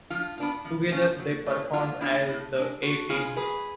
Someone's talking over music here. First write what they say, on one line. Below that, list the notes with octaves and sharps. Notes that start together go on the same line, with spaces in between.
Together they performed as the A-Teens.
F3 F4
B3 D4 F4
F3
A3 C#4 F4
F#3
A3 F4
F#3 F4
B3 D4 F4
A2
G#3 D4
D3 F#4
G#3 B3 F4 G#4
F#3 G#4 B4